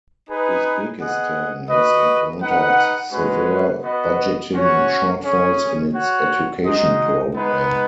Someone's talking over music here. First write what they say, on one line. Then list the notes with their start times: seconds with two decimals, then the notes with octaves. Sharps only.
Uzbekistan has encountered severe budgeting shortfalls in its education program.
0.29 D#4 G#4 B4
0.99 B3 G#4 D#5 F#5
1.70 F#4 B4 D#5
2.41 D#4 B4 F#5
3.11 G#3 C#4 F#4 B4
3.82 B3 F#4 B4 D#5 F#5
4.52 C#4 F#4 C#5 F#5
5.22 C#4 G#4 C#5
5.93 F#4 C#5 F#5
6.63 G#3 D#4 F#4 D#5
7.34 G#3 B3 D#4 B4